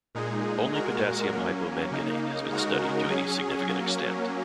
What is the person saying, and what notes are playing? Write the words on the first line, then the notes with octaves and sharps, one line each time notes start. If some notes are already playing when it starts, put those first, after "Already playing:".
Only potassium hypomanganate has been studied to any significant extent.
A#2 G#3 D#4 G#4
A#2 G#3 F#4 A#4
F#3 A#3 C#4
C#3 A#3 D#4
C#3 G#3 D#4 F#4 A#4
F#3 C#4 G#4
F#3 A#3 C#4